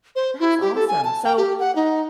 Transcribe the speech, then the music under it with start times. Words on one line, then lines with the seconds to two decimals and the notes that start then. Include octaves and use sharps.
That's awesome. So,
0.16 C5
0.40 E4
0.61 G4
0.75 A4
0.88 G#5
1.05 A5
1.24 G5
1.38 G4
1.60 F#5
1.76 D#4